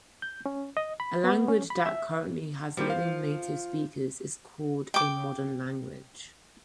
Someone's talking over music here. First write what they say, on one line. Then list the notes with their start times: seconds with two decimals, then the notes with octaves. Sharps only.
A language that currently has living native speakers is called a modern language.
0.22 G6
0.46 C#4
0.77 D#5
1.00 B5
1.24 B3
1.48 C#4
1.70 B5
1.86 E5
2.77 F3 G3 A#3 G4
2.90 F5
4.94 G5 D6